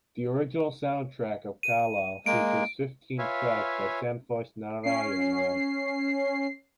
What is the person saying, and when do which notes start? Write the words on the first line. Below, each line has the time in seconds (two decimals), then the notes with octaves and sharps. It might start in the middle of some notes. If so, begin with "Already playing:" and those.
The original soundtrack of "Kaala" features fifteen tracks by Santhosh Narayanan.
1.63 D#7
2.26 G#3 A#3 D7
3.18 F4 B4 C#5 E5 F5 G#5
4.83 C#4 C7